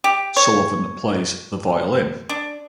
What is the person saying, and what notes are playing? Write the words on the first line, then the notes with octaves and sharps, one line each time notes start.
Sullivan plays the violin.
G4
C#5
D4